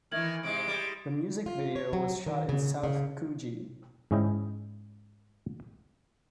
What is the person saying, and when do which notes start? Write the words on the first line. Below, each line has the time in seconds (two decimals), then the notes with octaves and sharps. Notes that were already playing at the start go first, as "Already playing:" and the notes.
The music video was shot in South Coogee.
0.12 D#3 E3 E5 F6 G#6 F#7
0.43 G#2 C3 G#3 D7
0.67 G3 G#3
1.46 F4
1.76 C#5
1.93 F#3
2.26 D#3
2.49 C#3
2.84 C#3
4.11 G#2 C#4 E4 D#5 G5